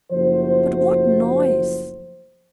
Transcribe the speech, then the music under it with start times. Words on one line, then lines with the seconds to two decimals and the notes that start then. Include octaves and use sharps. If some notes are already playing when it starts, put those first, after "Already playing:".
But what noise!
0.12 F#1 F3 A3 F#4 C5